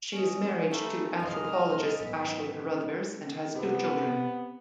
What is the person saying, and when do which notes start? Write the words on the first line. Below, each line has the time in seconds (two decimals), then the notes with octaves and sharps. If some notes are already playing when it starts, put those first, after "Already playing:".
She is married to anthropologist Ashley Carruthers and has two children.
0.12 C#4 D#5
0.71 A3 G4 F5 A#5 B5
1.20 F1 C2 G#3 D#5 A#5 C6 F6
1.99 E2 G#2 F#3 E5
3.55 C3 B3